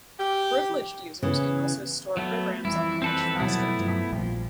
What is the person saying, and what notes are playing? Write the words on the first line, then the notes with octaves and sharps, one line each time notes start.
Privileged users can also store programs on the much-faster drum.
G4
C#3 E3 B3
F#3 A3 B3
F2 E3 G3 E4
C4 A4 B4
B2 F#3 G3 A3 B3 E4
G2 F3 F#3
A#1 A#2 F3 G3